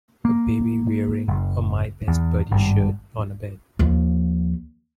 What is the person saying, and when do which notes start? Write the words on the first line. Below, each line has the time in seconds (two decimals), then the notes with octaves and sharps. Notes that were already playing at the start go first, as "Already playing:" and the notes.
A baby wearing a my best buddy shirt on a bed.
0.25 A#3
1.28 F#1
2.08 E2
2.52 G#1 G2
3.79 D#2 F3